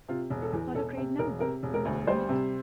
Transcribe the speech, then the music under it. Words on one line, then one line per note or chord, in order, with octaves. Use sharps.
Not a great number, we must admit.
C3 F4
E1
A4
E2
E1 A4
C3
E1 A#4
C3 A#4
E1
A#4
D2
G3 C5
C3